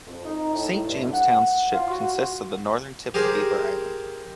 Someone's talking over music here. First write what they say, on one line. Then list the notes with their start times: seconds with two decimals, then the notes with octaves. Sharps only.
Saint James Township consists of the northern tip of Beaver Island.
0.07 F2
0.25 D#4
0.53 A2
0.85 G2
1.13 F#5
1.73 F4
1.90 F#4
3.14 G4 G#4 A#4 C5